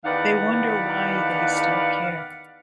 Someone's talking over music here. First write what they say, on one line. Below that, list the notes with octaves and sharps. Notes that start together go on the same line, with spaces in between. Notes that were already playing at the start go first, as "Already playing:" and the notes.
They wonder why they still care.
E2 D#3 B4 D5 F5 F#5